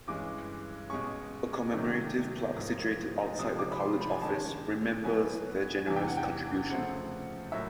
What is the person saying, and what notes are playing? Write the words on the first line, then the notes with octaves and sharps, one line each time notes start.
A commemorative plaque situated outside the college office remembers their generous contribution.
G2 E3 G#3 C#4 D6
B2 G#3 C#4 C#6
C3 D#3 F#3 A3 C#4
G#2 F3 A#3
C3 F3 G#3 D#6
D6
B5
C6
B5
G#5
D#3 G#3 C#4 A5
B2 F#3 B3 G#5
E2 C3 E3 G#5
G5
F#5
G5
C#3 F3 A3 C4 F#5
A2 F#3 A#3 E5